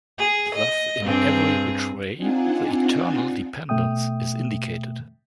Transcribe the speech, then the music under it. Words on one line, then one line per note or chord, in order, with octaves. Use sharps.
Thus in every which way, the eternal dependence is indicated.
G#4
D#5
G2 C4 G#4
C4 D4 D#4 F4 F#5 G#5
B2 A3 E5 G5 D#6